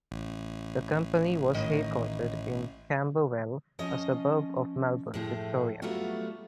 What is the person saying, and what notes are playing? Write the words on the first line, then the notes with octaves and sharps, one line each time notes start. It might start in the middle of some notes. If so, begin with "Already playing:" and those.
The company was headquartered in Camberwell, a suburb of Melbourne, Victoria.
A1
A2 D#3 D#5
F3 C#4 D#5
A2 F3 A3 G#4
F#3 G3 A3 B3 F4 F#4